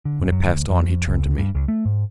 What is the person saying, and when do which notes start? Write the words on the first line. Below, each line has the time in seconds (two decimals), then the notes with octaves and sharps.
When it passed on, he turned to me.
0.05 D3
0.20 E1
0.32 F#2
0.44 D2
0.69 F2
1.07 C#2
1.38 G2
1.55 C#2
1.68 A3
1.85 G#2